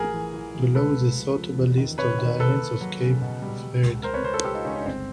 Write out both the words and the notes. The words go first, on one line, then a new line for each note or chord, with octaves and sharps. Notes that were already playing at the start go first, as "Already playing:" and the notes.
Below is a sortable list of the islands of Cape Verde.
Already playing: A1 F3 G#4 A#4
E3
E3
A1
C#2 A4 B4
C#2
F3
F3
E2
D#3
C3 B4 C#5
D#3
A#3 A4 B4
A#3
F#3
C#3
B2
G3
G3
C#2
C#2 A#4 C5
B4 C#5
C#2 A#4 C5
A4 B4
C#2 G4 A4
D#4 F4
C#2 C#4 D#4
C#4
G1 C4